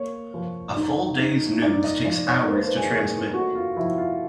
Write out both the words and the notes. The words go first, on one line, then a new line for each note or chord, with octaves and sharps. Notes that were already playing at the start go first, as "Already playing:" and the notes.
A full day's news takes hours to transmit.
Already playing: A#3 C#5
F3
D#4
D#4
D#4 D5
D#5
F3 D5
C#5
A#3 C5
B4
C5
G#4
A#3
A3 F#4
F4
F3 E4
F4